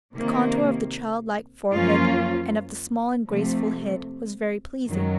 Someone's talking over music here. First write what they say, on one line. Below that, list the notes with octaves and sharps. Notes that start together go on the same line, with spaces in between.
The contour of the child-like forehead and of the small and graceful head was very pleasing.
C3 D#3 A#3
F#2 F3 A#3 C#4 F4
C3 F3 A3
F#2 D#3 F#3